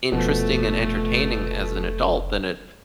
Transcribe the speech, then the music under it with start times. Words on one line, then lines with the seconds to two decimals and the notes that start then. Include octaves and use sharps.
interesting and entertaining as an adult than it
0.12 F1 B2 F3 A3